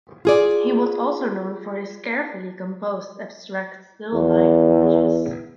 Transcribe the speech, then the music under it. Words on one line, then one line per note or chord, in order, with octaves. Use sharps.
He was also known for his carefully composed abstract still life images.
F4 G#4 D5
E2